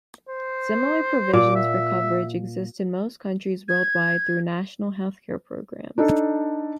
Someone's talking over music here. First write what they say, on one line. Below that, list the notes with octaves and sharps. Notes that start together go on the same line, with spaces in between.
Similar provisions for coverage exist in most countries worldwide through national health care programs.
C5
A#2 D6
E5
G#6
D4 D#4 A4